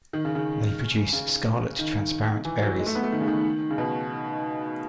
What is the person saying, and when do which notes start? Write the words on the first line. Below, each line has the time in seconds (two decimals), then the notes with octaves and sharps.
They produce scarlet, transparent berries.
0.13 D#3
0.25 C#3
0.35 C#3
1.13 C#3
1.79 D#3
2.45 E3
2.62 F#3
2.79 G#3
2.86 A3
2.95 B3
3.04 A3
3.12 D#3
3.20 C#3
3.28 D#3
3.71 C#3
3.78 B2